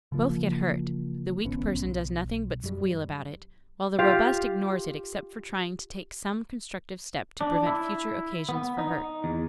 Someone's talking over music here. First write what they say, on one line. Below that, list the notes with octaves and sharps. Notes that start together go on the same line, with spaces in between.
Both get hurt, but the weak person does nothing but squeal about it, while the robust ignores it except for trying to take some constructive step to prevent future occasions for hurt.
C#3 E3 F3 A#3
G#1 C#2 B3 C#4
B1
F#2 G3
F4 G4 F5
D4
E4
B3
D#4
E2